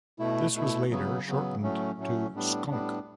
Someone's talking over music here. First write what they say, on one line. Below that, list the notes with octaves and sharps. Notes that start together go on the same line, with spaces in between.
This was later shortened to "Skonk".
B2 A3 E4
B2 A3 E4
C#3 F#3 B3
C#3 F#3 B3
A2 F#3 A3 C#4
A2 F#3 A3 C#4
A2 G3 B3 D4
A2 G3 B3 D4